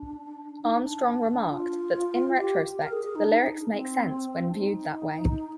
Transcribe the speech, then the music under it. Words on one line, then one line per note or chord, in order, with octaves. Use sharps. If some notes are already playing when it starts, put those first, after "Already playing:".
Armstrong remarked that, in retrospect, the lyrics make sense when viewed that way.
Already playing: D4
D#4
D4
F4
G4
A#4
G#4
G#4
D#4
D4
D#4
C4
D4
D#4